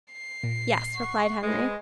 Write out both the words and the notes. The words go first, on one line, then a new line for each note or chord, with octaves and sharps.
"Yes," replied Henry.
C7
A#2
F#5 C#6
G#3 B4 C5 D#5